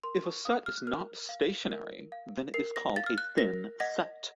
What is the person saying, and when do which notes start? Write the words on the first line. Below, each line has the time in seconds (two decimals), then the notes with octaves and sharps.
If a set is not stationary, then it is called a thin set.
0.03 A#4 C6
0.24 C#6
0.45 F5 D#6
0.66 F6
0.77 F#6
0.87 A#4 F6
1.29 F5
1.71 A#4
2.12 F5
2.54 A#4 C7
2.76 A#6
2.96 F5 A6
3.06 F6
3.18 F#6
3.38 A#4 A#6
3.80 D#5 F#5 A#6